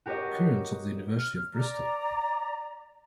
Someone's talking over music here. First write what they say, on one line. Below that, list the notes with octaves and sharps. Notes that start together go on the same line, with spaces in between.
Kearns of the University of Bristol.
F#4 G4 A#4 C#5 D#5
F6
D5 A#5